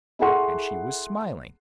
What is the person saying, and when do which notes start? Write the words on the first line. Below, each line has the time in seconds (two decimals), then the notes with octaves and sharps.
And she was smiling.
0.19 E4 G#4 A4 F#5 C6 C#6